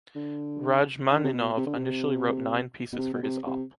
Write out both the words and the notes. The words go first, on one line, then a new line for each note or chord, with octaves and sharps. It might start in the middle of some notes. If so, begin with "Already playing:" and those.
Rajmáninov initially wrote nine pieces for his Op.
D3
D3
C3
B2
C3
D3
C3
B2
C3
B2
C3
C3